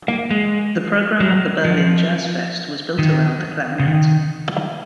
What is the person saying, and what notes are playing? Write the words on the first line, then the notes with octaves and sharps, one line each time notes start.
The program of the Berlin JazzFest was built around the clarinet.
A#3
G#3
F#3
F3
D#3
C#3
D#3